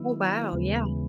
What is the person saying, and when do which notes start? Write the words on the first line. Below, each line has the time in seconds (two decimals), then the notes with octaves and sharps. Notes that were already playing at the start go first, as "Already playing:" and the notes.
Oh, wow. Yeah.
Already playing: D#3 F#3 B3 E4
0.52 D#2 C#3 E3 G#3 B3